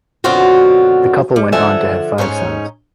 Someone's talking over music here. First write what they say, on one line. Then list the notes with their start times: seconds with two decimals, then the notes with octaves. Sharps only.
The couple went on to have five sons.
0.24 F#2 B2 D3 C4 F4 F#4
1.36 G3
1.52 D3 F3 A4 E5 F#5 G#5
2.18 G#2 C#4 D#4 C#5